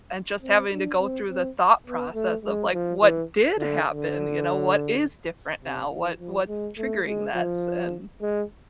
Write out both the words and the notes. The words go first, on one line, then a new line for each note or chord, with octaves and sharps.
and just having to go through the thought process of, like, "What did happen?" you know, "What is different now? What what's triggering this and"
C4
D4
C4
C4
B3
A3
G#3
F3
E3
D3
D3
C3
E3
F3
G#3
A3
G#3
F3
G#3